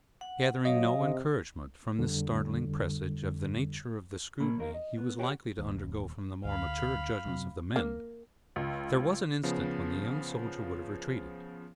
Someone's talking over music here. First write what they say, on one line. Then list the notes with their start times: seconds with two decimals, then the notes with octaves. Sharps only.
Gathering no encouragement from this startling presage of the nature of the scrutiny he was likely to undergo from the more mature judgments of the men, there was an instant when the young soldier would have retreated.
0.21 F#5
0.65 F#3 D#5 F5
0.98 C3
1.99 F2 D3 G3
4.40 A#2 A#3 B5
4.58 D#2 D#3 A#4 F5
4.74 D#5
4.98 B3
5.18 G4 C#5 F#5 G5
5.58 D#1 D#2
6.45 D2 F5 B5
7.26 F#2 C3 F#3
7.76 A#3
8.56 C#2
9.43 C#3 F3 B3